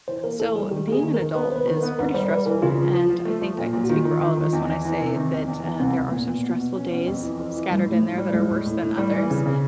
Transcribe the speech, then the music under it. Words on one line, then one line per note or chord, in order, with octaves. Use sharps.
So, being an adult is pretty stressful, and I think I can speak for all of us when I say that, uh, there are some stressful days scattered in there that are worse than others.
E3 C5
A#3 A#4
E3 A4
G3 G#4
D#3 G4
A#3 G#4
D#3
A#4
D#3
B3 B4
B3 B4 C5
D#3
A#4
B3
G#2 B4
G3 C5
G3 B4
E3 A#4
C#3 F4
F3
F3
F3
A3
F3
A#2
A#2
F#4
D#3 F4
D#3
D#3
D#3
E2
E2
E3
C3
D#3
E2
E2
E2
C2 C4
C2
A#2 B3
A#2
B2
B2
C#4
B2
F2
E3
F2
E3
A2 G3
A2
A3
A2
G#3
G3
A2 G#3
A2
A2
A2
G3
E3
C#3
C#3